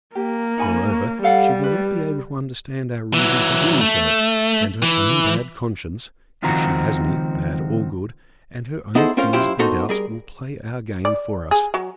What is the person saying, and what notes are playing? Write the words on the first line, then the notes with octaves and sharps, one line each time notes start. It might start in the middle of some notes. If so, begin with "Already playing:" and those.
Moreover, she will not be able to understand our reason for doing so, and her own bad conscience--if she has any, bad or good--and her own fears and doubts will play our game for us.
A#3 G4
D#4 G#5 B5
C#4
G3 A4 F5 F#5
B4
E3 F#3
A3
E3
C#2 D#3 F3 C4 F#4 A#5
B3 D#4 E4 G#4 A4 C5
C4 C#4 F4 A#4 C5 F5
F#2 C#4 E4 F4 G4 C5
B3 D#4 F#4 A4 A#4 C5
G3 G#4 A#4
D5
G#4
F#3